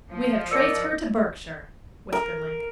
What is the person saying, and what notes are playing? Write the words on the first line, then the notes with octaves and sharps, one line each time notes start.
"We have traced her to Berkshire," whispered Link.
F3
A#4 D5 D#5 E6 C#7
A#4